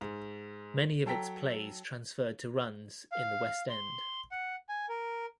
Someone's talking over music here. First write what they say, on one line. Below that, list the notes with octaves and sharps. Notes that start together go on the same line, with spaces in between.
Many of its plays transferred to runs in the West End.
G#2
F#3 A4 G5 A#5 B6
F5
C6
F#5
G#5
A#4